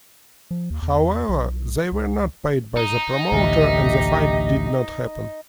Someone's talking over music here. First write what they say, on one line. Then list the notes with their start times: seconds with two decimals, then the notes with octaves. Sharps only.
However, they were not paid by the promoter and the fight did not happen.
0.51 F3
0.70 D#2
0.82 E2
1.29 B1
1.92 C#2
2.77 D#4
3.32 A1 D2 G4 D#5 E5